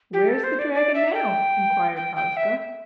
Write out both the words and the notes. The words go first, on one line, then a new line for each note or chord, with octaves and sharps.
"Where is the dragon now?" inquired Ozga.
G4
A4
C5
D5
D5
E5
G5
G5
G5
E5